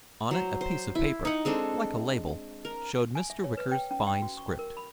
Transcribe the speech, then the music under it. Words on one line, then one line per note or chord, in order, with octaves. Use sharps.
On it a piece of paper, like a label, showed Mr. Wicker's fine script.
F#3 C5
C5
E4
D#4 F#5
G#3 C4 D4 A4
A#4
G#5
E5
C#5
B4
G5
C#4
G5
F#4
C#6
A#4
B5